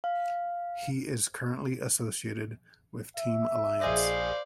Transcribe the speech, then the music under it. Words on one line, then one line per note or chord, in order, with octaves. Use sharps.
He is currently associated with "Team Alliance".
F5
E5
A#1 G#4 C5 D5 D#5 F5